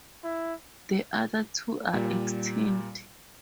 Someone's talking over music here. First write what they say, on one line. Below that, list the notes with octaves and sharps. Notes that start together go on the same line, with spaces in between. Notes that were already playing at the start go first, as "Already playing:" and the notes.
The other two are extinct.
E4
A#2 G3